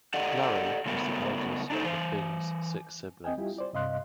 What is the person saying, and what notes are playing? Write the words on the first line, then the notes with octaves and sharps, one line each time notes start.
Larry was the eldest of Bing's six siblings.
G4 A4 D5 D#5 F#5
C#3 F#3 G3 A3 B3 A#4
D4 D#4 A4 C5
E3 C5
C4 D#5 G5 G#5
G3 E4 F4 G4
C5 D5
G2 C3 D#5 F5 C6 F#6